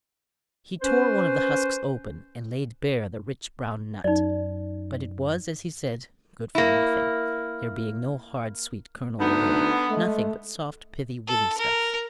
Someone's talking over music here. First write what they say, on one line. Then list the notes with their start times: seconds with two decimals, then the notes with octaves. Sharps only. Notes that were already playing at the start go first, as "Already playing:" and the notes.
He tore one of the husks open, and laid bare the rich brown nut; but it was, as he said, good for nothing, there being no hard sweet kernel within, nothing but soft pithy woolly stuff.
0.82 C#4 B4 C5
4.04 F#2 D#4 D5
6.55 A#3 E4
9.19 D2 D3 B3 D#4
9.90 G#3 A3
11.27 A4
11.58 A#4